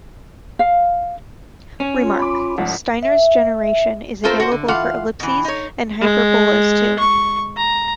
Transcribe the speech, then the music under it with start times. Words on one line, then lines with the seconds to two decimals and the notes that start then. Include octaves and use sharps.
"Remark:" Steiner's generation is available for ellipses and hyperbolas, too.
0.59 F5
1.80 C#4
2.02 F4
2.19 B5 D6
2.58 C2 G#2 F3 F#5
3.03 E5
4.24 A3 C4 F4 A4 A#4 C5
4.40 F#4 C5
4.52 D3
4.68 E3 F4 F5 F#5
5.20 B2 E3
5.45 D#4 C#5
6.01 G#3
6.99 C#6
7.57 A#5